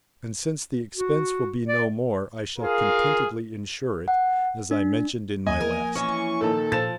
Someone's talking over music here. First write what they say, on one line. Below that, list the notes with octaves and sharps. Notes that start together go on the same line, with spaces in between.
And since the expense will be no more, I shall contentedly insure it, as I mentioned in my last.
F#4
D5
F4 G#4 A#4 F5
F#5
D4
D#2 F#3 A#3 D#5 G#5
F3 A#3 A#4
E3 C#4 C#6
A#2 D#3 A4 A5
A#2 F3 A6 E7